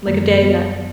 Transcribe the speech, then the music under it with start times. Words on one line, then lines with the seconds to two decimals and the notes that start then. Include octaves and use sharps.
like a day that,
0.07 F#2 D#3 F#3 A#3
0.41 B3